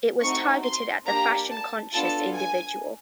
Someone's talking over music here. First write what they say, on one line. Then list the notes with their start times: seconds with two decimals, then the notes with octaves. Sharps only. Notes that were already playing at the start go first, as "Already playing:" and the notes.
It was targeted at the "fashion conscious" individual.
0.21 A3 C4 D#4 F#4 C#6
0.63 C6
1.07 A#3 D4 G4 A#5
1.51 A5
1.93 B3 D4 F4 A4 A5
2.36 G#5